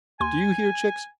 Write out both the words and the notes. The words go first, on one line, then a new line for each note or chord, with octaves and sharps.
Do you hear, chicks?
D#2 G#5 C6